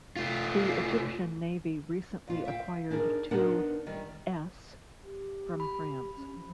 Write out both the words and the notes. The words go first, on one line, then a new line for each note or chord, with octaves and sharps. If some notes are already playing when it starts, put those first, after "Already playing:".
The Egyptian Navy recently acquired two s from France.
A3 F4
F2 F4
E5 F5 G5
D4 D#4 G#4 A#4
B3 D4 D#4 A#4 F#5
D#3 G3
G4
B5
C#4
F3